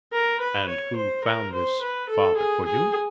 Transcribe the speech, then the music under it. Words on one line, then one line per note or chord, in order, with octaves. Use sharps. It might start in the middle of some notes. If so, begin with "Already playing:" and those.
"And who found this father for you?"
A#4
B4
C#5
C5
A#4
C5
B4
A4
G#4
G#4